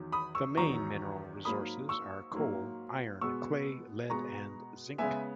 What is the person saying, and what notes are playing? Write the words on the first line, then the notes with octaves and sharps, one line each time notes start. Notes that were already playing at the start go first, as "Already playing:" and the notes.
The main mineral resources are coal, iron, clay, lead and zinc.
Already playing: E2 D#3 F#3
B5 D#6
C#6 E6
E2 D#3 F#3 A#5 C#6
G#2 F#3 A#3 B5 D#6
C#6 E6
G#2 F#3 A#3
B2 G#3 B3 C#6 E6
B2 G#3 B3 A#5 C#6
C#3 G#3 B3 E5 G#5